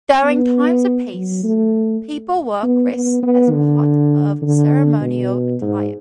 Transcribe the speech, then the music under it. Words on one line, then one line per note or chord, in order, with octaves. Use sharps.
During times of peace, people wore kris as part of ceremonial attire.
B3
F#3
A3
B3
B3
B3
D3
D3
B2
G#2